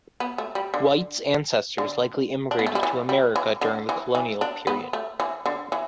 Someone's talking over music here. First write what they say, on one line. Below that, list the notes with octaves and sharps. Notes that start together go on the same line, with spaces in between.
White's ancestors likely immigrated to America during the Colonial period.
B3
A3
G3
D3
D3
D4
B3
A3
G3
E3
G3
E3
D3
E3
E3
D4
B3
A3
E3
D3
E3